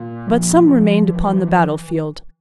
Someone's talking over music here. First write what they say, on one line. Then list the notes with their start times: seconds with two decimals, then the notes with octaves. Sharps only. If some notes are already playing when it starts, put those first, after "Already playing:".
But some remained upon the battlefield.
Already playing: A#2
0.28 F3
0.68 F3
1.07 E3